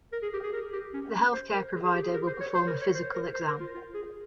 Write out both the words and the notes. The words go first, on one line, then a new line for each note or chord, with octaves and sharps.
The health care provider will perform a physical exam.
A#4
G#4
G4
G#4
A#4
G4
C#4
C5
A#4
G#4
G#4
G4
G#4
A#4
C5
C#5
C5
A#4
C#5
C5
A#4
C5
A#4
F4
F4
G#4